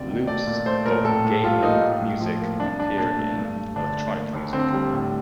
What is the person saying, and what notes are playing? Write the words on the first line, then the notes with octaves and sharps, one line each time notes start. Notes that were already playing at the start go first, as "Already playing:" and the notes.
Loops of gamelan music appear in electronic music.
Already playing: D2 C3 A#3 D5
D#3
A3 D5
A#2
A3 C5
A#2 A#4
A2 A4
A2
G3 F4
A#3 D#4
A2
A2
F3
A#3
C2 D4
C2 D4
A#2 D4
A3
G2
G2
D3 D4
A3
A#3
D#2
D3 C4
G3
A2